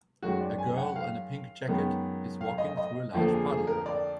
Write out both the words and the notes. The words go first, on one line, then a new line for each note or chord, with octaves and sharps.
A girl in a pink jacket is walking through a large puddle.
F#2 D#3 G#3 F#4
D5
G#5
F#5
F5
F#2 D#3 G#3 B3
F5
D#5
D#5
F2 D3 F3 A#3
G#4
G#4
A#4
D5